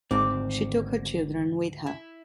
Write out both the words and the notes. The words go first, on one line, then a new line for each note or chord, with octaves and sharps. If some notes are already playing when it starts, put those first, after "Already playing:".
She took her children with her.
G#1 D2 G#2 C4 D6
E4